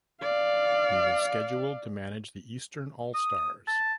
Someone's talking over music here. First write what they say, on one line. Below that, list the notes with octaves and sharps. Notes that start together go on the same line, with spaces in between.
He was scheduled to manage the Eastern All-Stars.
D5 F5
D#6
A5